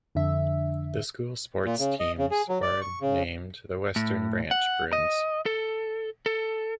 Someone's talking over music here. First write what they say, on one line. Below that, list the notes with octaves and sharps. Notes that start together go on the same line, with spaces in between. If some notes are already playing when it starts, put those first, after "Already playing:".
The school's sports teams are named the Western Branch Bruins.
F2 D3 E5
A#2
C#3
D#5
C#3
G#4
F#3
D5
C#6
C#3
A2
F#5
D#5
A4
A4